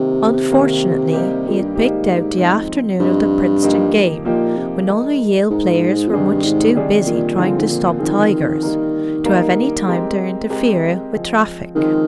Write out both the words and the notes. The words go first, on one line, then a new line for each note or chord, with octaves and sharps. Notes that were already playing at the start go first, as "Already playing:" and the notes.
Unfortunately he had picked out the afternoon of the Princeton game when all the Yale players were much too busy trying to stop Tigers to have any time to interfere with traffic.
Already playing: C3 D#3 A#3 D#4
D#3 A#3 D#4
G3 A#3 D#4 G4
F2
G2
G#2 G3 A#3 D#4 G4
F3 C4 D#4
G2 F3 C4 D#4
F3 A#3 D#4 G4
A#2 F3 A#3 D#4 G4
C3
G#3 D#4 A#4
G#2 G#3 D#4 A#4
F2
G2 C3 D#3 G3 D4 G#4
G#2
C3 D#3 G3 D4 G#4
A#2
G#2 D3 F3 C4 F4 G#4
A#2
G#2
A#2
D3 D#3 F3 C4 F4 G#4
G3 A#3 D#4 A#4
G3 A#3 D#4 A#4
G#3 C4 G4 A#4
G#3 C4 G4 A#4
F3 G#3 C4
D#3 F3 G#3 C4